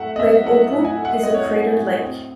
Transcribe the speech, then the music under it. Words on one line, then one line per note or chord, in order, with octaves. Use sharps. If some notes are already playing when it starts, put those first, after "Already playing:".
Lake Oku is a cratert lake.
Already playing: A2 F#3 A3 C4 E5 F#5
D#5
C4 E5
F#3 F#5
A2
G#5
A3
F#5
C4 D#5
C#5
D#5
F#3
A2
C4